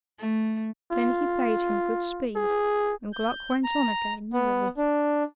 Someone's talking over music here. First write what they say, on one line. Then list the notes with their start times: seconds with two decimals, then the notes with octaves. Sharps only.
Then he bade him good speed, and Gluck went on again merrily.
0.19 A3
0.92 F4
2.36 G#4
3.13 G6
3.64 A#5
4.33 B3
4.77 D4